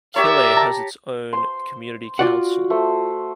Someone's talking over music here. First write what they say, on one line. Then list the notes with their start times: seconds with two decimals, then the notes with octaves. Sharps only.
Killay has its own community council.
0.16 G4 A#4 C#5 D5 E5
0.56 A5 A#5
1.33 C5 C6
2.19 F4 F#4 D5 F#5
2.70 A3 C5